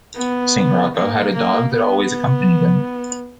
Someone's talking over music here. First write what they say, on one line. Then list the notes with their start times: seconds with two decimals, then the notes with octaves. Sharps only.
Saint Rocco had a dog that always accompanied him.
0.16 B3
0.96 A#3
1.34 A#3
1.74 B3